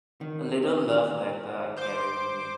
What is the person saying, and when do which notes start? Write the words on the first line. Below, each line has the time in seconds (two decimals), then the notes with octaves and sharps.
A little love letter I carry with me.
0.21 D#3
1.77 C5 D6